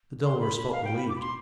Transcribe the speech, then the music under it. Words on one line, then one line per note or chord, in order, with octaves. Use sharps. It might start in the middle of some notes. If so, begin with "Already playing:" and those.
The Delawares felt relieved.
C6
B5
B5
F5
G5
B5
D6
B5
C6